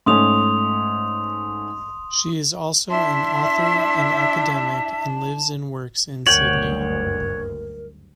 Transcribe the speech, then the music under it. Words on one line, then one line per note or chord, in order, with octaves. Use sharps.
She is also an author and academic and lives and works in Sydney.
G#2 A3 C#4 C6 D#6 F7
D4 E4 E5 A5 C6
F#1 D2 G2 A#4 C#5 F#5 G5 F#7